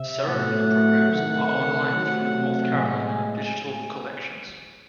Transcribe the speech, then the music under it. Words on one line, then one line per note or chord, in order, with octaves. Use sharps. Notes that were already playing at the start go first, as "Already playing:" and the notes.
Ceremony programs are online through the North Carolina Digital Collections.
Already playing: C3 E5
A2 F#3 A3 F#5
C3 D#3 A3
C3 F#3 A3
A2 G#3 G#5